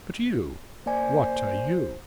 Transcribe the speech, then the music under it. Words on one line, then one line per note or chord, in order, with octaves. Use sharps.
But you--what are you.'
A#3 C5 D5 G#5